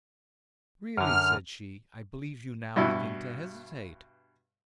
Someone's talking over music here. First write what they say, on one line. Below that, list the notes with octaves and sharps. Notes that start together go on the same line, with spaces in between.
"Really," said she, "I believe you now begin to hesitate."
F#2 D3 F6
G2 B2 E4